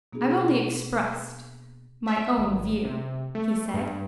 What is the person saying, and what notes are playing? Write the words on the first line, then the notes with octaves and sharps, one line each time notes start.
"I've only expressed my own view," he said.
B2 A#3 B3 D4 F#4 G#4
E5
G#1
C3
A3
G2